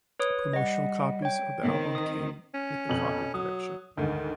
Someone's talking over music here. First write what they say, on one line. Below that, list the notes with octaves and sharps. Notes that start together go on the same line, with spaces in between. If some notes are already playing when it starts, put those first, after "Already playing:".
Promotional copies of the album came with copy protection.
B4 C#5 D#6
G3 D#5 F#5
C#5 G5
D#3 C4
D#6
C#4
F2 B2 F#7
F#3 D#6
D2 G#2 D#3